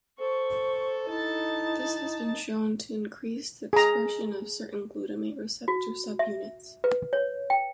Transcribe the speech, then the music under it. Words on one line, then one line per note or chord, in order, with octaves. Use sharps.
This has been shown to increase the expression of certain glutamate-receptor subunits.
A4 C5 C#6
D#4 E4 A5
G#4 A#5
F#4
E5
B4
C#5
G5